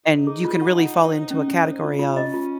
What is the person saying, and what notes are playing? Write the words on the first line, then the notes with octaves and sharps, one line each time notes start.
And you can really fall into a category of,
D#4 C5
G#4
F4
F#5
F#5
C5
C5
C#4
C#4
C5
F4
F4
C#4 D#5
F4